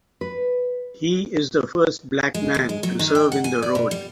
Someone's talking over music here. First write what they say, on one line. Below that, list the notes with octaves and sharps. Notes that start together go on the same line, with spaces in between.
He is the first Black man to serve in the role.
B4
G#3
D#2
G#3
F#3
D#3
G5
F#5
G#5
D5
B2
G3